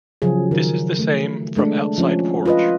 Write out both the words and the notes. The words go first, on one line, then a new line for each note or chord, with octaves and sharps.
This is the same from outside porch.
C#3 F3 F#3 G#4
D#3 A#4
A3
G#3 A3 D4
F3 C#4
F4 B4 D#5